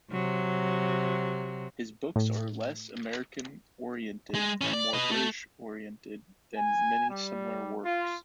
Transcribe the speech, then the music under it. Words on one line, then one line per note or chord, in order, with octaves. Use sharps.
His books are less American-oriented and more British-oriented than many similar works.
C3 F#3
A2
G#3
E3 C#4
D5
B4 D#5
A3
G#5
G3
F4